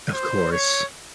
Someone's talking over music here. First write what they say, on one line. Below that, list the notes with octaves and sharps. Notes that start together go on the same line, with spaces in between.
Of course.
C5
C#5